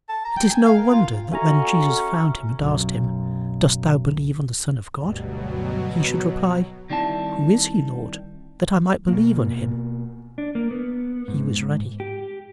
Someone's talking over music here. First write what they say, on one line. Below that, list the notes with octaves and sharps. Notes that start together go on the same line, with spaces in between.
It is no wonder that when Jesus found him and asked him, "Dost thou believe on the Son of God?" he should reply, "Who is he, Lord, that I might believe on him?" He was ready.
A5
A#5
G5
G#5
F5
A#4
F4
C#4 F#4 A4 E5 G#5 A#5
B1 F#2
D2 G2 B2 F#3 G3
D#3 G3 C4 E4 A5
B2 A#3
D4
A#3
B3
G#2
G4